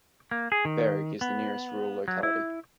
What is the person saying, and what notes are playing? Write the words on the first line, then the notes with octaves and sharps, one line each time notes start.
Bereg is the nearest rural locality.
A#3
G#4
D#3
B3
F#3
E4